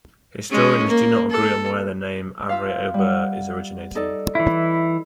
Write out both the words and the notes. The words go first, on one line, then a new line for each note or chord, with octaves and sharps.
Historians do not agree on where the name "Havre-Aubert" is originating.
G#3 C#4
A#3
A4
F4 E5 F5
G3 F#5
D#4 A4 D5
E3 E4